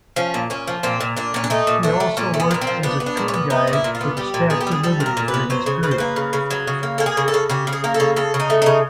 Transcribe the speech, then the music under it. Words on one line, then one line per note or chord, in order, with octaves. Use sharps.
He also worked as tour guide for the Statue of Liberty during this period.
F3 C#4
A#2
A#2 C#4
F3
A#2 C4
A#2
A#2 D4
A#2 C#4
D4
A3 D#4
A#2
A3 D4
A3
A#2 C#4
A3
B3
A#2 B3
C4
F3
B3 D4
B3
D4
A#2
C#4
B3
B3 D#4
A#2
E4
A#2
F4
B3
G3 G4
A#2
B3 G#4
G4
G3 G#4
G3 A4
A#2
A#4
A#2
B4
B3
F#3 C5
C#3
C#3 B4
C5
A#3 B4
C#3
C#3
F#3
C#3
A#3
A#3 A4
G#4
C#3
A4
C#3
C#3 G4
C#3
G#4
A#3 A#4
A4
C#3
C#3 A4
C#3
D#4
A3
C#3 D#4